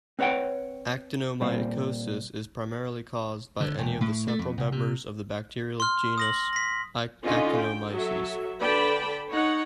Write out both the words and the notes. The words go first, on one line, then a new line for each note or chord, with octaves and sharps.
Actinomycosis is primarily caused by any of several members of the bacterial genus "Actinomyces".
C4 B4 C#5 F#5 G5
A#2 G3 C4
D3
E1
A2
A3
F2
C2
C3
C6 F6
D#6 A#6 F#7
A#6 B6
D3 C#4 D#4 F4 D#5
G5
F#3 A4 E5
D3 B4 D5 G5 A5 B5
D#4 C#5 F#5